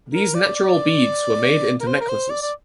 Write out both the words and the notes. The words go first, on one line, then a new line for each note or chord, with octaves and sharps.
These natural beads were made into necklaces.
A#4
D5
D5
A#4
C5
A#4
C5
D5
D5